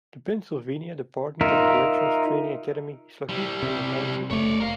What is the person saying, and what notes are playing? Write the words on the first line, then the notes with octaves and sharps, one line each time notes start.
The Pennsylvania Department of Corrections Training Academy is located in the township.
D#4 F4 A#4 E5
G3 E4
C3
F#1 A3 C#5 D5
A#4 F5